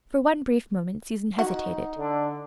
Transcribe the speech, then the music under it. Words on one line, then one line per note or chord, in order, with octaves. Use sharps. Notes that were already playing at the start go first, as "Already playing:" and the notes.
For one brief moment Susan hesitated.
D#4 F#4
D3 D4